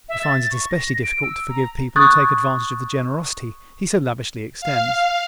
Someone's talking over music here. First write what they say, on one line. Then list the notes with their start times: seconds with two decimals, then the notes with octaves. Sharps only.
He finds it especially difficult to forgive people who take advantage of the generosity he so lavishly extends.
0.09 E5
0.23 A6
0.51 C#6
0.69 A#6
1.03 D7
1.22 E6
1.49 A#5
1.96 C#6 D#6 F#6 G#6 A6
4.61 F5